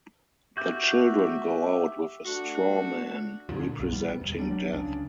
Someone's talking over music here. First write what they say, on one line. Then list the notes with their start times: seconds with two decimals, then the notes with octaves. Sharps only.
The children go out with a straw-man representing Death.
0.57 F#4 G4 E5 G6
2.26 A3 D4 F#4
3.49 G2 A#2 D3 F3
3.79 B1 F#2 B2
3.93 G3 B3
4.21 E1 D#2
4.39 F#3 G3 D4
4.73 C#2 C#3 D4